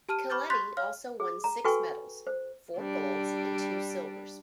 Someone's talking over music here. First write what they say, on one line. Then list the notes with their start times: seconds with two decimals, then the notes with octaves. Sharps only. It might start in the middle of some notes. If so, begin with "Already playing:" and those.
Keleti also won six medals: four golds and two silvers.
0.09 G4 A5 F6 D#7
0.30 B5 C#6 D6 F6 G6 A6
0.50 C6 C#6 F#6 G6 A6 B6
0.77 C#5 F5 F6
1.20 G#4
1.44 A#5
1.65 F#4 A4 B4 G5 G#5 C#6
2.27 C5
2.78 G3 D4